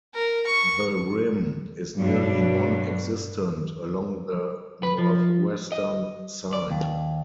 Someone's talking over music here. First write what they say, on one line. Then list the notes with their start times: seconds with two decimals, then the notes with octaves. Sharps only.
The rim is nearly non-existent along the northwestern side.
0.15 A#4
0.47 C#6
2.00 G2 B2 F#3 D4
4.83 B4
4.98 F3
5.72 D#5
6.53 D5
6.71 D#2